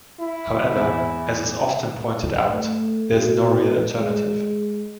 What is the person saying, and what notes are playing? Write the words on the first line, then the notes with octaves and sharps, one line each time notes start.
However, as is often pointed out, there is no real alternative.
E4
E2
A3
B2
G#3